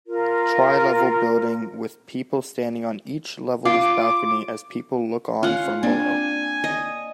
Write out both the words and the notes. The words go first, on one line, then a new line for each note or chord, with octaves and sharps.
Trilevel building with people standing on each level 's balcony as people look on from below.
F4 A#4
F4 D6
C#4 F4 F#5
A#3 C4 D4 G#5
D#5